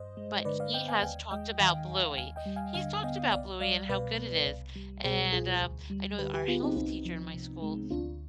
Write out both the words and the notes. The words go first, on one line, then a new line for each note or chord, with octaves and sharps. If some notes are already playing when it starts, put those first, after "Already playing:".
but he has talked about Bluey he's talked about Bluey and how good it is, and, um, I know our health teacher in my school
Already playing: G2 C5 D#5
G#3
D3 B4 D5
D5 F5
B3 D#5 G5
F5 G#5
D#2 F5 G#5
G#3 D#5 G5
D#3 F5 G#5
D#2
D#2 F5 G#5
D#5 G5
G3
F5 G#5
D3 F5 G#5
B3 D#5 G5
C2 D5 F5
G3 D5 F5
B2 B4 D5
B3
C2
G3
B2 G#4 C5
C2 F4 G#4
D2
G3
D3 G4 B4
G4 B4
B3 F4 G#4
C4 D#4
C2 C4 D#4
F3
C3
G#3
D2 D4 F4